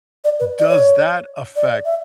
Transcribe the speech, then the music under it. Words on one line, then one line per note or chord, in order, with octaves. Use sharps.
Does that affect
D5
B4
D5
C#5
D5
E5